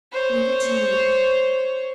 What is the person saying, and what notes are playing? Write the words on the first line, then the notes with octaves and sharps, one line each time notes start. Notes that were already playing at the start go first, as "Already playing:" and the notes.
Leave it to me.
C5 C#5